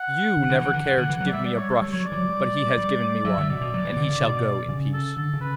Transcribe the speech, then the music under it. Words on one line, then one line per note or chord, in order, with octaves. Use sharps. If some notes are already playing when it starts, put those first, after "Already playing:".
YOU never cared to give me a brush; but he has given me one, and he shall go in peace.'
Already playing: F#5
D3
D3
E3
D3
C#3
D3
E3
F#3
D5
G3 E5
D5
C#5
A4
G3 C#5
F#3 C#5
D5
E3
F#3
G3
G3
F#3 E5
D3
B2 D5
B2
F#3
E3
D3
C#3
B2
C#3
A4
D3 A4
C#3
B4